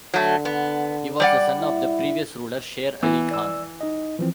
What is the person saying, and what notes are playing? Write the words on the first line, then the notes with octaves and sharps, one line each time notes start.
He was the son of the previous ruler, Sher Ali Khan.
D3 F#3 A3
B3
G3 D5 F#5
E4
E3 B3
D5 E6
D#4 D#5
E3 F3 C4